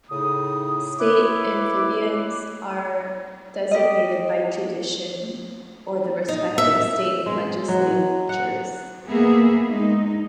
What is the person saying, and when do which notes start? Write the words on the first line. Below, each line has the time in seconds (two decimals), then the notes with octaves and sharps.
State amphibians are designated by tradition or the respective state legislatures.
0.10 A2 C#3 D#4 D#6
0.99 E4 B4 C#5 E5 D6
3.71 G4 D#5
6.28 D#4
6.58 E5
7.26 G#3
7.68 F#3
8.29 F#5
9.08 A#3 B3 G#4 E5
9.70 G#3 D#4